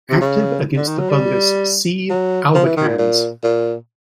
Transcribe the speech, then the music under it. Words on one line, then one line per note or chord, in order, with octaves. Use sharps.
Active against the fungus C.albicans.
C3
C#3
D3
D#3
F#3
G3
F#3
F3
E3
D#3
A#2
A#2
A#2